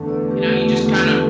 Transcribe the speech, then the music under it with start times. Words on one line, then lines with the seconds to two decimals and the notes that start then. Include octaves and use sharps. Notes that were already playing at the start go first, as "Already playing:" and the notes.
you know, you just kinda
Already playing: E2 D3 A3
0.08 B4 D5
0.31 G4 B4
0.45 G4
0.53 F4 A4
0.86 F4 A4